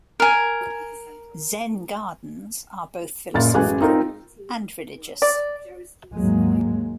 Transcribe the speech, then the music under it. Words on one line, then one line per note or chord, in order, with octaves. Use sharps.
Zen gardens are both philosophical and religious.
A#4 G#5
F#1 A#2 A6
A1 F#2 G#3 F#4 G#5 F#6
C4 D#4 F4 A#4
D5
D#2 G#2 F#3 G#3 A#3